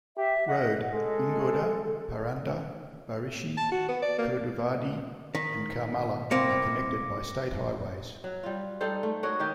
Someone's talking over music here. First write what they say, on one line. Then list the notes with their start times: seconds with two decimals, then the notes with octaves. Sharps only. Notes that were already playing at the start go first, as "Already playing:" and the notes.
Road: Ingoda, Paranda, Barshi, Kurduvadi, and Karmala are connected by state highways.
0.17 G4 E5
0.48 D#5 F#5
0.93 G#3 A4
3.57 A5
3.72 F#4
3.88 B3
4.02 D5
4.18 A#3
5.35 D#3 B6
6.31 C2 A#3 C4 D6 A#6 C#7
8.24 F#3
8.43 G3 F4
8.81 G3 D#4 A4 C5
9.03 A3
9.23 F#4 A#4 C#5 D#5
9.40 D#3 G4 A#4